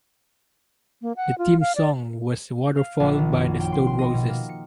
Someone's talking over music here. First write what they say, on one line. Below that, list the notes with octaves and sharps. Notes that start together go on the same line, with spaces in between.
The theme song was "Waterfall" by The Stone Roses.
A#3
F#5
F4
F5
D5
F5
A#1
D#3
F#2
G5
C6
C6
D#5
B2
A#3
C#7